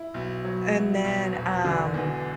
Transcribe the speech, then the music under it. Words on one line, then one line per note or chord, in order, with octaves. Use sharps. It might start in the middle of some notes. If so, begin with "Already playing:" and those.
And then, um,
Already playing: E4
B1
F#3
B2
B1
E1
D3
E2